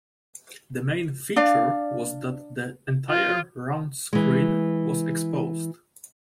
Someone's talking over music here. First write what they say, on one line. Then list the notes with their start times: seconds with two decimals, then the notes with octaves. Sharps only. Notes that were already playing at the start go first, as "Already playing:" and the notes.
The main feature was that the entire round screen was exposed.
1.36 D4 D5 F5
3.09 F4
4.13 E3 G#3